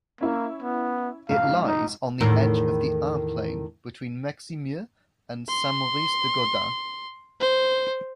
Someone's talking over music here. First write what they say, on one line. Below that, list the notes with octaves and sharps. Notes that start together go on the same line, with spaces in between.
It lies on the edge of the Ain plain between Meximieux and Saint-Maurice-de-Gourdans.
A#3 C#4 E4
B3
B1 F2 G#2 F5
D#4
E2 A2 D#3
C6
C5